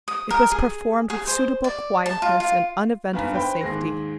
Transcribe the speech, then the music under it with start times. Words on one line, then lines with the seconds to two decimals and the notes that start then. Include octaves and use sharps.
It was performed with suitable quietness and uneventful safety.
0.08 D#6
0.30 A#4
0.52 G#4
1.10 G#4
1.27 C5
1.64 D5
2.06 A5
2.22 F4
2.40 F4
3.13 B1 G2 B3 G#5 A#5 B6
3.33 B4 C5 G5 B5
3.61 D#2 G#2 G#4 C6 A#6